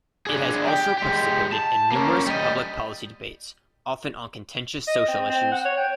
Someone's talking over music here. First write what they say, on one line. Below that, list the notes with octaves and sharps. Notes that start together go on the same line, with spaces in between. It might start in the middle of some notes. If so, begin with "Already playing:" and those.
It has also participated in numerous public policy debates, often on contentious social issues.
D4 G#4
G4 G5
G#3 G4
A5
A#3 C#4
G3 D#5
D#5
C4
C4
F#5
C#5
G5